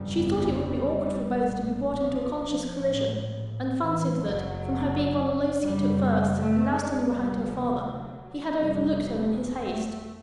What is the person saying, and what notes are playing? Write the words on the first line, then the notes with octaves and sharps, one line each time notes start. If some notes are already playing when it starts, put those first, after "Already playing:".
She thought it would be awkward for both to be brought into conscious collision; and fancied that, from her being on a low seat at first, and now standing behind her father, he had overlooked her in his haste.
Already playing: G1 F2 C#3 G3
B1 A#2
F3
A#1 A2
E3
F#1 F#2 C#3 F#3
F#1 F#2 C#3 G3
A3
G#3
D2 C3 G3
F3
F#3
G1 F2 C3 G3
G#3
A3